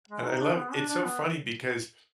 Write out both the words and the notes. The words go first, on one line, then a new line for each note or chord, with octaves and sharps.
And I love it's so funny because
G#3
D#4
D4
B3
D4
D4
B3